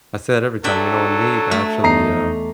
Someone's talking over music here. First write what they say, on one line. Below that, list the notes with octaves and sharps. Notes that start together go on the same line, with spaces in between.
I say it every time, you know, in League, I actually, uh,
F#3 D4 A4 E5 G5
A3
E2 D#4 A#5 C7